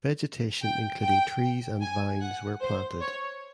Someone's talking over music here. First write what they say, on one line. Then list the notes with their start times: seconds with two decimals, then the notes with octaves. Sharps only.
Vegetation including trees and vines were planted.
0.61 G5
1.02 G5
1.82 G#5
2.21 F#5
2.61 C5
3.01 C#5